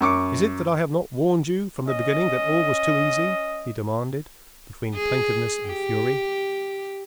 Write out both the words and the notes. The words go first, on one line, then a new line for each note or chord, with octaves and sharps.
"Is it that I have not warned you from the beginning that all was too easy?" he demanded between plaintiveness and fury.
F#2 C#6 D6 C#7
C#4 D#5
G#4
G4